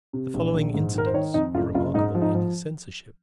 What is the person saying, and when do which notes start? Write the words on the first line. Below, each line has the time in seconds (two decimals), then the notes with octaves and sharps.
The following incidents were remarkable in his censorship.
0.13 C3
0.34 A#1
0.54 A#1
0.74 G#2
0.94 D#3 A#4
1.06 C5
1.14 D#3 C#5
1.34 F2 D#4
1.54 F#1 F4
1.75 F#1 F4
1.94 G#2 D#4
2.15 F3
2.22 D#4
2.35 F3